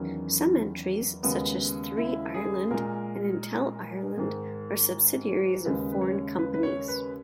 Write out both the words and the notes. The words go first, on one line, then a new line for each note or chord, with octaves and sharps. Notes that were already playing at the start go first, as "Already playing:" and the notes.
Some entries such as Three Ireland and Intel Ireland are subsidiaries of foreign companies.
Already playing: E2 D#3 F#3 C#4
D#2 C#3 G#3 B3
E4
G#4
A#2 G#3 A#4
G#2 D#3 G#3
D#2 C#3 G#3 B4
B4
C#5
B4
B4
C#5
B4